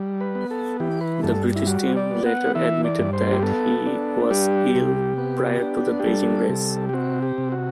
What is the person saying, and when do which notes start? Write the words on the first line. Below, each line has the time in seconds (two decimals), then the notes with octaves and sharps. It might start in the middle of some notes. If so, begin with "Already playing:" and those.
The British team later admitted that he was ill prior to the Beijing race.
Already playing: G3
0.21 B4
0.35 B3
0.51 A4
0.80 E3 G4
1.01 B4
1.23 G2 A4
1.55 E4
1.67 G3 F#4
1.97 D5
2.11 B3
2.26 F#5
2.55 E3 E5
2.84 D5
2.99 G2
3.13 C5
3.32 G4
3.42 B3 A4
3.86 D4
4.30 G3 G4
4.75 C3
5.17 B3
5.62 D4
6.00 G4
6.06 G3 A4
6.49 C3
6.89 G4
6.93 C4 F#4
7.22 G4
7.38 C3
7.52 F#4